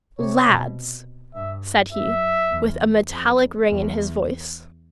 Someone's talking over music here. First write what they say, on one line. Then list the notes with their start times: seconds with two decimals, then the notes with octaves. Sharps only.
"Lads!" said he, with a metallic ring in his voice.
0.19 C3 C#5
0.48 B2
1.35 G2 E5
1.92 F#2 E5
2.51 E2
3.09 F2
3.67 E2